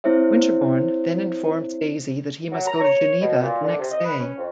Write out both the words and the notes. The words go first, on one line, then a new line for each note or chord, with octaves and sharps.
Winterbourne then informs Daisy that he must go to Geneva the next day.
C4 E4 C5 C#5 E5
F#3
A#5
C#5
B2
A#2
D3
C3
D#5
B4
C#4
F2